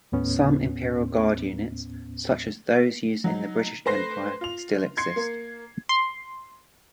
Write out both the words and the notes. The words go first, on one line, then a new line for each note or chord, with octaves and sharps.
Some imperial guard units, such as those used in the British Empire, still exist.
D#2 A2 B3 C#4
F#3 D#4
A3 B4 C5 A#6 C7
F4 F7
C6 G#6 C7 C#7
A#3
C6